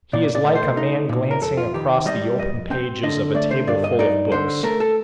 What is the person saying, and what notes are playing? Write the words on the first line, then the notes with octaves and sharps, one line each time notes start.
He is like a man glancing across the open pages of a tableful of books.
A#2 D5
D5
A3
C5
D#4
A#2
A#4
F2 A4
F4
D#3 G4
G3 D#5
F2 D#5
C4 G5
D3 D#5
A3 D5
C5
G2 D5
D#5
D#4 D5
D3 C5
A3 A#4
A4